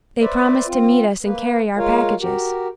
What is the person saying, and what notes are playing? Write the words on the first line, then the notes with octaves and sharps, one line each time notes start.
"They promised to meet us and carry our packages."
B4 C5 D5 E5
C4 F4
A#3 B4
G#3 F4 A#4 C#5 F5
F#4 G4 A#4